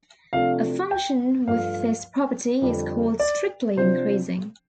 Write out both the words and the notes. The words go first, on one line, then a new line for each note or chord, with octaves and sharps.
A function with this property is called strictly increasing.
C3 F3 A3 D4 F5
G5
G2 F3 A3 F5
F2 D3 G3 D4
D5
C3 F3 D4 C5